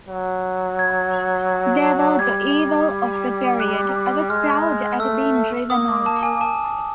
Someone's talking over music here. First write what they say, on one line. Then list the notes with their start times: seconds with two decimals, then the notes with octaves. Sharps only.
They were the evil of the period; I was proud at being driven out.
0.09 F#3
0.79 G#6
2.19 G3 G#6
3.60 F#6
4.30 G#3 F6
5.00 A3 E6
5.70 A#3 D#6
5.88 D6
6.06 A5
6.23 G#5
6.41 A5